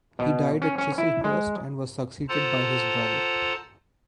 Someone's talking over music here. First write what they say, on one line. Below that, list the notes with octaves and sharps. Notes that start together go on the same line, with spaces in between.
He died at Chislehurst, and was succeeded by his brother.
B2
C#4
C#4
E4
G#3
F4 A4 C5 F#5 A5 A#5